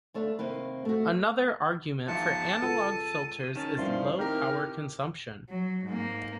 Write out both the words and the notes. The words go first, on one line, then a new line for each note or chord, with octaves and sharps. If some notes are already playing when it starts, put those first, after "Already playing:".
Another argument for analog filters is low power consumption.
D2 A3 D4 F5
C3 D#3 A#3 B4
A3 F#4
E2 G#2 F3 E5 F5 A5 C#7
C#2 A4 C#7 D#7
D#3 C#4 A5 E7
C2 G2 F3 C6
D#3 C4 D#4 E4 G4 A#4 F6
F#3
G#2 A#3